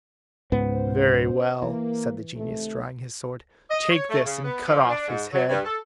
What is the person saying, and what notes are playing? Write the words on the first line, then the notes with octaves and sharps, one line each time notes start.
"Very well," said the genius, drawing his sword, "take this, and cut off his head."
C#2 G#2 B3 C#4 C5
E3 A#3
C3 D#3 A3
D#5
C#5
A3
C#3
B3
F3
D4
G#2
F#3
G2
A4